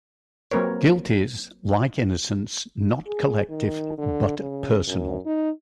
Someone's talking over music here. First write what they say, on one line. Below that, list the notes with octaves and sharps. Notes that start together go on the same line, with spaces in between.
Guilt is, like innocence, not collective but personal.
F#3 A#3 C4 A#4 B4 C#5
G#4
D#3
D3
C#3
F#2
D#4